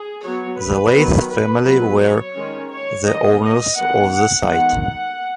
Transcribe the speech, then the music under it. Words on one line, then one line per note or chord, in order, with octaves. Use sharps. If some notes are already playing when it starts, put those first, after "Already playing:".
The Leith family were the owners of the site.
Already playing: G#4
F#3 B3 C#5
B4
D#3 F#3 B3
B4
F#3 B3 B4
C#5
D#3 G#3 C#4
C#5
D#3 B3 D#5
D#5
D#3 B3 F#5
F#5
D#3 G#3 B3 F#5
F#5